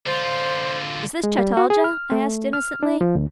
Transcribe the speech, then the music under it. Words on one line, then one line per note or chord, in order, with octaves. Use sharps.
'Is this Chataldja?' I asked innocently.
D3 F4 C5
G#3
G3
F#4
G#4
F6
A3
F6
D4
F3
D2